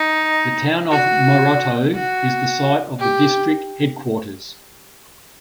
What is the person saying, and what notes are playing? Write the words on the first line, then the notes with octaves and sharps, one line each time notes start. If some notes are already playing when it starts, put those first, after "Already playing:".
The town of Moroto is the site of the district headquarters.
Already playing: D#4
F#4
F#4
G4